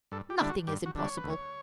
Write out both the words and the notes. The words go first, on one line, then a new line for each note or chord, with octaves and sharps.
Nothing is impossible.
G2 A4
G4
D3 G3 D4 E4
F#4
G2 G4
F#4
D3 G3 D4
C#5
B4
D2
C#5